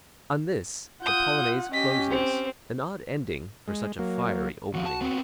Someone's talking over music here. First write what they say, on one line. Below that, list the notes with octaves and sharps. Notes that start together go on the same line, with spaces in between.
On this the Polonaise closes, an odd ending for such a fiery opening.
F4 F#5 D#6 G6
C#4 G4 D#5 B6
C4
G#3
F#3 A#3
D#2 F3 F#4
A5
B3 C4